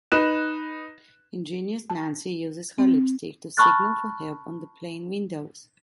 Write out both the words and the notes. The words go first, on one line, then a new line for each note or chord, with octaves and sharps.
Ingenious Nancy uses her lipstick to signal for help on the plane windows.
D#4 B4 F#6 E7
A5
C4
A5 B5 C#6 F6 F#6 A6